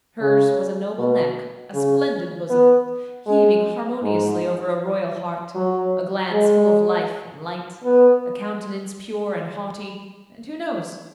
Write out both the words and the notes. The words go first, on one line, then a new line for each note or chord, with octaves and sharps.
Hers was a noble neck, a splendid bosom, heaving harmoniously over a royal heart, a glance full of life and light, a countenance pure and haughty, and who knows?
C#3
B2
C#3
B3
G#3
G#2
F#3
G#3
B3